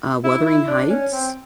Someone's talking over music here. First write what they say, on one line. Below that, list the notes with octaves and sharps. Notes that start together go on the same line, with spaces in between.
uh, Wuthering Heights.
E4
E4
D4
C#4
C4